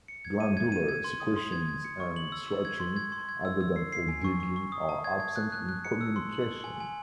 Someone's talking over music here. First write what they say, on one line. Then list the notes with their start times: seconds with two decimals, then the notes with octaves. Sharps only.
Glandular secretions and scratching, other than for digging, are absent in communication.
0.08 C#7
0.25 G#6
0.40 D#7
0.57 G#6
0.72 D#7
0.89 G#6
1.04 C6
1.20 D#6
1.36 C6
1.52 G#6
1.68 G#6
1.85 C#7
2.00 C#6
2.16 F#7
2.32 E6
2.48 E6
2.65 G#6
2.80 C6
2.96 G#6
3.12 C6
3.29 G#6
3.45 E6
3.61 E6
3.76 C7
3.92 C7
4.08 G#5
4.24 C#6
4.40 C#6
4.56 C#6
4.72 D#6
4.89 A5
5.04 G#6
5.20 G#6
5.36 F#6
5.52 F#6
5.69 F#6
5.85 C#7
6.01 E6
6.16 C6
6.33 F#7
6.49 F#7
6.64 G#5
6.80 G#5